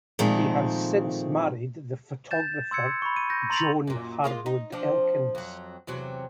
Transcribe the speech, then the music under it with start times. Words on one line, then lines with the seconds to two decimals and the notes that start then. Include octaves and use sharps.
He has since married the photographer Joan Harwood Elkins.
0.19 A#2 D#3 F3 G#3 A3 C4
2.31 G6 A6 E7
2.71 C6 E6 G#6 C#7
3.02 B5 C#6
3.16 D#7
3.30 G6 A#6
3.50 A#5 C6 A6 F7 F#7
3.87 F#2 A#2
4.24 G#3 A#3 F4
4.46 D#4
4.72 F3 C4 D4
5.35 F2 F#3
5.87 E2 C3 F#3